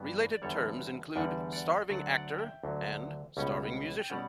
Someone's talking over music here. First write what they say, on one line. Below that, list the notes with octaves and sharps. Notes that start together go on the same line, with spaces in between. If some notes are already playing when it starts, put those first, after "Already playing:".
Related terms include starving actor and starving musician.
Already playing: G2 E3 B3
D5
E2 D3 G3 A4 C#5
E2 D3 G3 D5 F#5
D5 F#5
D2 D3 F#3 D5 F#5
D5 F#5
E5 G5
D2 D3 F#3
C#2 B2 G3 C#4
G5
B2 G3 C#4 D5 F#5